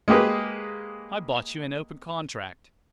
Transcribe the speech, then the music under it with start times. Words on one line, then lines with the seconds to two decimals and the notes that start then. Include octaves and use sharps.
I bought you in open contract.'
0.08 G#3 A#3 G4 G#4 B4